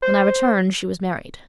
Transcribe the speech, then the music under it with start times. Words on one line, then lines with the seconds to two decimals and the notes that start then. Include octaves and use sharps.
When I returned she was married.
0.03 C5